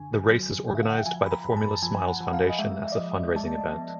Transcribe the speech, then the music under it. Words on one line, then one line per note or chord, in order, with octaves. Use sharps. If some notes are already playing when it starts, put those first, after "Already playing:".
The race is organised by the Formula Smiles Foundation as a fundraising event.
Already playing: F#2 D3 G#5
F#3
D3
E5
F5
F#5
G5
F3 G#5
B5
A#5
F#2
A5
F3 G#5
F#5
F3
F5
D#5
G#3 E5
D5
F3 D#5
G#3 A5
B3